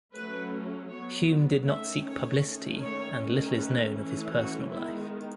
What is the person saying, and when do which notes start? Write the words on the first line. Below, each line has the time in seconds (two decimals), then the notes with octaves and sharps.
Hume did not seek publicity and little is known of his personal life.
0.15 F#3 A3 C#4 B4
0.91 F#3 B3 C#5
1.67 D#3 A3 C#4 E5
2.05 C#5
2.42 D#3 A3 C#4
2.81 C#5
3.18 D#3 A3 C#4
3.56 B4
3.95 E3 A3 C#4
4.32 F#4
4.70 D#3 G#3 B3 E4